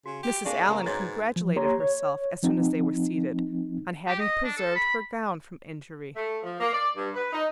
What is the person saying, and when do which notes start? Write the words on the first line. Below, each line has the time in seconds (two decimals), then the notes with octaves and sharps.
Mrs. Allen congratulated herself, as soon as they were seated, on having preserved her gown from injury.
0.06 C#3 F#4
0.23 G4
0.45 G#3 A#3 D4 D5 F5 C#6
0.68 C#3 A#3 A#5
0.86 G#2 F#4 B4 C#5 G#6 A6
1.36 F3
1.56 A#3 G4 C#5 A#5 C6
1.80 C#5
2.43 F3 C4 D#4
4.07 G4
4.20 D#5
4.44 D4
4.57 A4
4.75 B5
6.16 A3
6.43 F3
6.60 A#3
6.72 D5
6.96 G2
7.14 B4
7.33 D#4